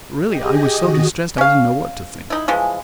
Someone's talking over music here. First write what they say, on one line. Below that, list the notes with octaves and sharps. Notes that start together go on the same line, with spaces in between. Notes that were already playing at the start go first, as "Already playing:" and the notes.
Really I was so distressed, I didn't know what to think.
G4 G#4 D#5
D#3 F#4 D#5
C#4 F5
D#4 E4
E3 F3 G#3